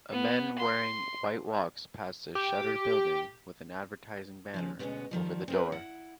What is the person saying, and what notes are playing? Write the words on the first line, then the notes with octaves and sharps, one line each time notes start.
A man wearing white walks passed a shuttered building with an advertising banner over the door.
B3
C6
G4
C#3 E3 F3
D2 B2 D3 G#3 B3 C#4
D#3 F3 G3
C4 A#4 B4
E4 F#5